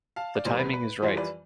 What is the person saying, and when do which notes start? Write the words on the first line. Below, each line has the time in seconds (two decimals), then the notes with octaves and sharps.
The timing is right.
0.16 F5 A5
0.35 D5
0.45 E2 B2 G3 C5
0.59 B4
0.73 B4
1.02 F2 E3 G3 C5
1.17 B4 D5